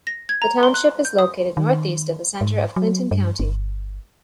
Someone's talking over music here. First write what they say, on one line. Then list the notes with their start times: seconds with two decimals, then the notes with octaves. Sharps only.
The township is located northeast of the center of Clinton County.
0.07 A#6
0.29 G#6
0.42 A#5
0.63 C6
0.74 F#6
1.05 G6
1.19 D#6
1.57 D#3
2.41 G#2
2.76 F#3
3.11 G2
3.40 G1